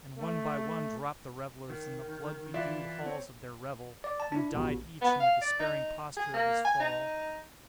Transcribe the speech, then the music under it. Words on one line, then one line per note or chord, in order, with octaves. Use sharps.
And one by one dropped the revellers in the blood-bedewed halls of their revel, and died each in the despairing posture of his fall.
A3
D#3
E3 E4 F4 D5 E5
C4 C#5
D5
A5
D4 E4
A1 B2
B3
F5
D5
D#4
G#4
A#3
G#5
D#4